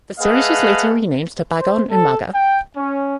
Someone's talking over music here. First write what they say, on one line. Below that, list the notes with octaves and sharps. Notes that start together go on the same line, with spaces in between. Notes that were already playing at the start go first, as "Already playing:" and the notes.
The series was later renamed to "Bagong Umaga".
A3 G#4 B4 D#5 F5 F#5
C5
A4
G5
C#4